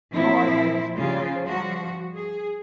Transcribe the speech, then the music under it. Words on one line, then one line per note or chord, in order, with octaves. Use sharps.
You are my rescuer, Bernat!
A#2 F3 C4 E4
C#3 F4
F3 G3 F#4
G#4